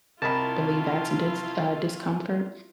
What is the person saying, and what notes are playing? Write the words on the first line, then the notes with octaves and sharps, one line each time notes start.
believe that's a dense uh, discomfort,
C2 E4 F4 A#4 D#5 A5 B5